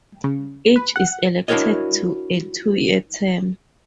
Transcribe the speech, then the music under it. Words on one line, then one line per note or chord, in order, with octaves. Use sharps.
Each is elected to a two-year term.
C#3
B4
F#5
D4 E4 F#4 A#4 C#5 D#5